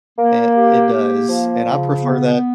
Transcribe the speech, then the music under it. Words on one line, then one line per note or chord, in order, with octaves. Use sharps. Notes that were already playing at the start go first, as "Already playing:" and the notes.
It it does, and I prefer that.
A#3
G4
A#3
F3
C#3
B3